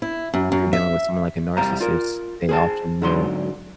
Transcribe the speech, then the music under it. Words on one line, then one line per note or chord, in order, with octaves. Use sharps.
if you're dealing with someone like a narcissist, they often will
E4
F#2
F#2
E5
C2 G3 C5 F5 A#5
F4 A#4
G#4 C5 A5
G#2 D3 F#3 B5 C6